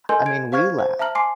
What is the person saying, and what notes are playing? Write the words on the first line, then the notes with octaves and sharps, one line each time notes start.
I mean, we laugh,
A4 A#4 D#5 G#5 C6 G6
G#6 D7
C5 F5 C#6 F6 G#6
C5
E5 A5 A#5 F6 F#7
G#5 C6 D6 C7